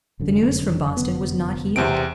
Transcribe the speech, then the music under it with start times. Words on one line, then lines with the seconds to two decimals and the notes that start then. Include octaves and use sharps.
The news from Boston was not heeded.
0.20 F1 F#2 D3
0.97 B3
1.76 E2 C3 C4 D7